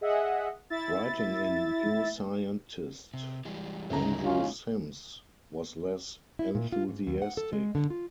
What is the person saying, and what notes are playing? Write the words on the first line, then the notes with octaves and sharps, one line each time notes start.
Writing in New Scientist, Andrew Simms was less enthusiastic.
G#4 D#5 E5 F#5
E4 E5 A6
C3
E3 G3 G#3
D2 C#3 G#3 D#4 E4 A#5
C#4 F4
E4
A#2
F4
G#2
D#2
F#5
A4
G#3
D3
F4